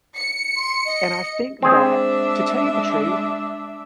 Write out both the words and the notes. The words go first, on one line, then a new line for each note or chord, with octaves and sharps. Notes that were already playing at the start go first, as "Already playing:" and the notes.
and I think that to tell you the truth,
C#7
C6
D#5
G#3 C4 D4 G#4 E5